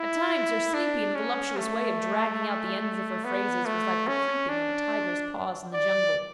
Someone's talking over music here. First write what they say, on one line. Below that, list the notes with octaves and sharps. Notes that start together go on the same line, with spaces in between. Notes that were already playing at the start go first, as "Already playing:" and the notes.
At times her sleepy and voluptuous way of dragging out the end of her phrases was like the creeping of a tiger's paws in the jungle.
Already playing: E4
D4
C#4
A3
B3
A3
C#4
D4
D5